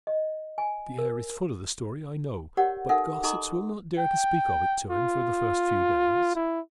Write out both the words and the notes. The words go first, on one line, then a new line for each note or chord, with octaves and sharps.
The air is full of the story, I know; but gossips will not dare to speak of it to him for the first few days.
D#5
G#5
A#4
G4 A#4 C#5 D5 F#5
D#4 A4 A#4 E5 F#5
D#4 A4 D#5 A#5 C6 D6
G5
F4
E4